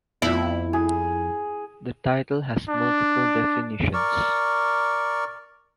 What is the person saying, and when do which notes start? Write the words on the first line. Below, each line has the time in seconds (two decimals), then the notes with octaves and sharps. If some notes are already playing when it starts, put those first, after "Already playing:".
The title has multiple definitions.
0.22 F2 B3 E4 F4
0.73 G#4
2.69 D4
3.94 A#4 D5 C#6